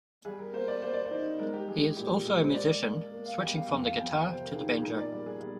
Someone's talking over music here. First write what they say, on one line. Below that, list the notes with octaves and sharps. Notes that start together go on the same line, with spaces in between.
He is also a musician, switching from the guitar to the banjo.
G3 G#4
A#4
A#3 C5
D5
A#3 C5
D5
C5
D#4
G#3 A#4
G4
G#3 G#4
G4
A#2 G4
G4
G#3 G#4
C5
A#3 D5
A#3
A#3
F5
G3 G5
F5
F2 G5
F5
F2 G5
G5
C3 C5
A#4
D#3 G#4
G#4
A#2 A#4
D5
G3 A#4
G#4
G3